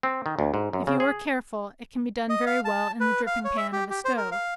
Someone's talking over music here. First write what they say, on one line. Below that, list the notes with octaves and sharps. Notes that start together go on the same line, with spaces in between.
If you are careful, it can be done very well in the dripping-pan of a stove.
C4
D#3
D2
G#2
F#2
C#3
G#4
D#5
F5
A5
B4
F5
C#5
E5
G4
G4
C5
A#4
F5